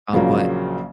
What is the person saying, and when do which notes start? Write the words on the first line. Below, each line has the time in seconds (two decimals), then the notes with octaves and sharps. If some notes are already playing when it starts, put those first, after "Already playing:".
um, but
0.13 A#1 C#3 F3 F#3 A#3